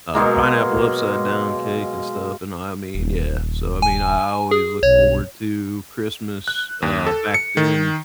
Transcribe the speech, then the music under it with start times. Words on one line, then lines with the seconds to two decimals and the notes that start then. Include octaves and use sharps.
uh, pineapple upside-down cake, and stuff, and I I mean, yeah. So, I mean, I I always look forward to Christmas, uh, back then.
0.14 B2 F#3 G#3 A#3
2.95 D#1
3.82 G#5
4.51 G#4
4.83 B1 C#5
6.48 F#6
6.82 D#2
7.07 A4
7.34 C#7
7.57 D#3